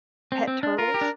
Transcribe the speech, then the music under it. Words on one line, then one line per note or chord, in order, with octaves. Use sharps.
pet turtles
C4
C4
D4
F4 A#4
G4
D4